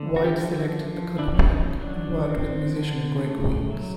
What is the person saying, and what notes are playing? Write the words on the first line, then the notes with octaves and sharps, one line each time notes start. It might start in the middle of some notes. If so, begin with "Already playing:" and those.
White selected the color pink, and worked with musician Greg Weeks.
Already playing: D3
F#4
F4 G4
F3
E4 F#4
F3
D4 E4
C#4
D#4
F#3 D4
C4
D3
A3
F#3